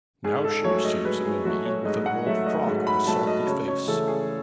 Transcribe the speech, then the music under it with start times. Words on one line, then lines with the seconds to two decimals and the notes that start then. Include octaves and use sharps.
Now she receives him and me with an old frock and a sulky face.
0.24 G#2 G#4
0.44 A4
0.64 F#3 A3 C#5
0.85 D#5
1.05 G#2 B4
1.25 G#4
1.45 F#3 A3 F#4
1.66 C#5
1.85 G#2 D#5
2.06 F#5
2.26 F#3 A3 E5
2.46 D#5
2.67 G#2
2.87 B5
3.06 F#3 A3 A5
3.27 D#5
3.47 C#2 C#5
3.68 C#5
3.88 C#3 E3 A3 C#4 A4
4.08 G#4